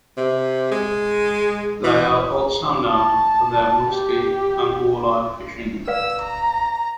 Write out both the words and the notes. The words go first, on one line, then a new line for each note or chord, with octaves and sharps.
They are also known for their muskie and walleye fishing.
C3
G#3
E3
A5
G4
B4 D5 F5 E6
A#5